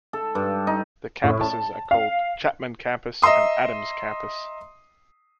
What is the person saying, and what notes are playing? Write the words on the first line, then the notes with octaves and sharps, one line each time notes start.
The campuses are called Chapman Campus and Adams Campus.
A4
G2
D#4
A2
A5
F5
D#5 E5 A#5 C6 D#6